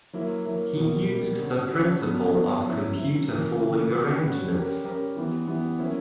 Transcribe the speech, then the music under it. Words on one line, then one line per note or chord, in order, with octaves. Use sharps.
He used the principle of computer fooling-aroundedness.
F#3 A#3 E4
F#3 A#3 E4
B2 G3 A#3
B2 G3 A#3
D3 G3 C#4 F#4
D3 G3 C#4 F#4
F#3 B3 D4 F#4
F#3 B3 D4 F#4
F#3 C#4 E4
F#3 C#4 E4
C#3 E3 A#3
C#3 E3 A#3
G3 C#4 F#4 B4
G3 C#4 F#4 B4
G3 C#4 G4 A#4
G3 C#4 G4 A#4
E3 G3 B3
E3 G3 B3
F#3 A#3 C#4 E4